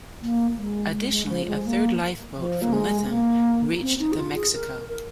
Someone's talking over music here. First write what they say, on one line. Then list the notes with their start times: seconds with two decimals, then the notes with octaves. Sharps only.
Additionally, a third lifeboat, from Lytham, reached the "Mexico".
0.22 A#3
0.57 G#3
0.93 G#3
1.11 G#3
1.29 F3
1.48 G#3
1.65 A#3
2.37 F3
2.62 A#3
2.73 G#3
3.05 C4
3.09 A#3
3.82 C4
3.99 D#4
4.12 G#4
4.17 F4
4.35 G#4
4.53 A#4
4.89 A#4